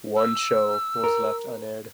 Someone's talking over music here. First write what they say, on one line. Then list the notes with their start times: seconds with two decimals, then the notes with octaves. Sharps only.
One show was left unaired.
0.16 E6
1.04 A#4